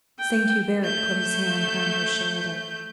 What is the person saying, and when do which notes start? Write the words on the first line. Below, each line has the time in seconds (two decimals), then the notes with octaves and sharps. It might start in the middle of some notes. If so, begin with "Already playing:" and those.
Saint Hubert put his hand on her shoulder.
0.19 G5
0.82 A3 G6